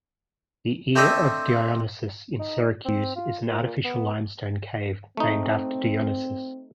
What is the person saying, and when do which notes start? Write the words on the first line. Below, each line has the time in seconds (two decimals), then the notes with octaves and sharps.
The Ear of Dionysius in Syracuse is an artificial limestone cave named after Dionysius.
0.96 A3 C4 D4 C5 D#5 E5
2.39 D#4
2.85 C4
3.16 F4
3.47 A#2
3.84 B3
5.17 A3 C4 D#4